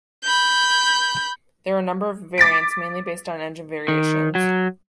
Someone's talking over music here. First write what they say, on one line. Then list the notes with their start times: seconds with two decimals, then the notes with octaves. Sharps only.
There were a number of variants mainly based on engine variations.
0.23 B5 G6
2.38 D6 A6 B6 D7
3.88 D#3
4.35 F#3